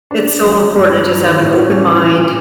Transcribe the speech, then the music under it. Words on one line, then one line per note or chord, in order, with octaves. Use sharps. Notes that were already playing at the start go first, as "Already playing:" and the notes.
it's so important to just have an open mind,
D4
D4
F#3
F#3
G2
G2
F#3
D#3
A2
C#4
C#4
E3
A#2
A#2